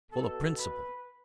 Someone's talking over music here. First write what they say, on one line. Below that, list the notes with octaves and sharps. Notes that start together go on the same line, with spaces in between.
Full of principle.
B2 A4
B4